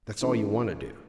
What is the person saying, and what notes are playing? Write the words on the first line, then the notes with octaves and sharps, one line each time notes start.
"That's all you want to do."
E3 A3 C#4 E4